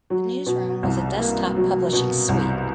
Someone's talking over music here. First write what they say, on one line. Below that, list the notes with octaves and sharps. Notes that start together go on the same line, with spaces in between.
"The Newsroom" was a desktop publishing suite.
F#3
B2
C2
A#3
F#3
B2
C2